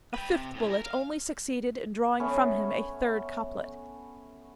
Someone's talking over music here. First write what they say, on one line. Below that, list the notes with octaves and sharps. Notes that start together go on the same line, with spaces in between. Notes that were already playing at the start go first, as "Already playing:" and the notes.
A fifth bullet only succeeded in drawing from him a third couplet.
B4 G5
C3
A2 C#4
A#4
F5
A3 B3 C#4